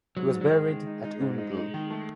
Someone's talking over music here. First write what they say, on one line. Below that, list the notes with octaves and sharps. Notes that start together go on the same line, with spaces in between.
He was buried at Oundle.
G#2 F#3
G#2
F#3
D#3 G#3
D#3
D#4
D#4
G#2
D#4
D#4
D#3
A3